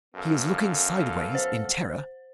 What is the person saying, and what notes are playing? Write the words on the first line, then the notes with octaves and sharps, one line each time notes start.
He is looking sideways in terror.
F#2 B3 A4 F5
C5